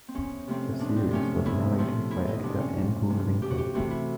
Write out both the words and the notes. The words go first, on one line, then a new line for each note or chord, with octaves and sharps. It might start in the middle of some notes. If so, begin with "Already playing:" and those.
The series was narrated by actor Andrew Lincoln.
C4
E2 C#4
C3 F3 A3 C4
E2 D4
C4
C3 F3 A3 C4 C#4
E2 E4
C3 F3 A3 C4
E2 E4
D#4
C3 F3 A3 C4 D4
C4
C#4
F2
C3 E3 A3 C4
F2 G4
F#4
G4
C3 E3 A3 C4 F#4
E4